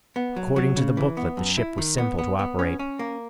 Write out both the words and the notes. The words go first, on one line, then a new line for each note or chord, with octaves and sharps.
According to the booklet, the ship was simple to operate.
B3
F#3
F#3
C#3
E3
B3
F#2
E4
D#3
B3
B3
B3
C#4
C#4
A#3